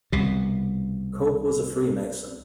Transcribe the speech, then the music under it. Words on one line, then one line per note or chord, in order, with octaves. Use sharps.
Cope was a Freemason.
C2 B2